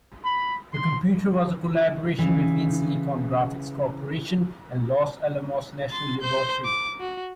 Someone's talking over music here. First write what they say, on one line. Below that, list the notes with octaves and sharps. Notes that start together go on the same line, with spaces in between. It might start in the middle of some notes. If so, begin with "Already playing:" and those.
The computer was a collaboration between Silicon Graphics Corporation and Los Alamos National Laboratory.
B5
C6
C#3 E3
C6 A6
C5 G6
D6
F#4